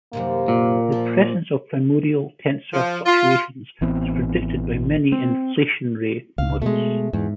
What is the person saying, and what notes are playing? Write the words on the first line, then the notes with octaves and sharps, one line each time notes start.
The presence of primordial tensor fluctuations is predicted by many inflationary models.
F#2 C3 D#3 A#3
A#2
F3
F3
F4
A1 E3 B3 C4
C4
C#2 F5
B2 G#3 A3
E2 G#2